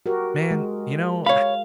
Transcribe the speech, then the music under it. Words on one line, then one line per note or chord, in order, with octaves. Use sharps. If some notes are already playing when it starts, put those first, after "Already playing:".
Man, you know,
F#4 G4 A#4
G#3
C#5 F5 B5